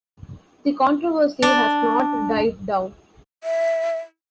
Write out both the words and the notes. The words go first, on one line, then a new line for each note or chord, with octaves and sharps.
The controversy has not died down.
D4
E5